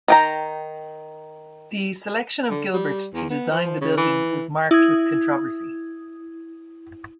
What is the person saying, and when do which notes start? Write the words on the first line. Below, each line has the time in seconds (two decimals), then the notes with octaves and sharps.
The selection of Gilbert to design the building was marked with controversy.
0.08 D#3 G5 A#5
2.50 D3
2.73 G3
3.14 E2
3.30 B3
3.51 F3
3.81 C#3
3.97 E3
4.71 E4 D#6 G#6